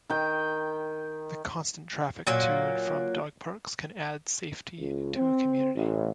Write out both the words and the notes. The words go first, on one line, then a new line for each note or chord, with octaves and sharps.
The constant traffic to and from dog parks can add safety to a community.
D#3 G5
A#2 F#3 A#3
C#2
C4
A1